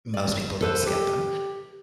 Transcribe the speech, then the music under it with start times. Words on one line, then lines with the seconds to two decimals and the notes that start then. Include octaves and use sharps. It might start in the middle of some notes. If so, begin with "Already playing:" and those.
most people don't skip them,
0.14 D5
0.61 A4 B4 C5
0.86 G4